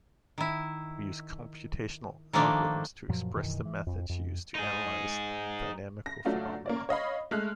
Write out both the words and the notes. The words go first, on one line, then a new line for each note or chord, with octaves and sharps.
We use computational algorithms to express the methods used to analyze dynamical phenomena.
D#3 E4
D#3 F3 A3 A#3 D4 D#4
F#2 A#2 F3 F#3
F#2 B2 D#3 E3
E3
F2
F2
D#4 G#4
A#6
F#3 A3 D4 F4 F#4
A#3 C#4 D5
C#5 D#5 F5 B5
G#3 A3 F6 F#6